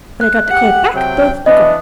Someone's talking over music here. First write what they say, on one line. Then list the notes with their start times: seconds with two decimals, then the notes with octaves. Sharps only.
When I got the cloak back both were gone.
0.21 F#6
0.51 G4 F#5
0.95 C3 F#3 G5
1.46 E3 B3 D4 D#5